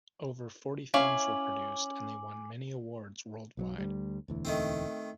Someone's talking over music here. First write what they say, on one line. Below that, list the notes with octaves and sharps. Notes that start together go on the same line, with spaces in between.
Over forty films were produced and they won many awards worldwide.
C#4 E4 C#5 F5 G#5 D6 F#7
B1 F3 F#3
D2 G3
E1 D2 E3
D#3 A3 C4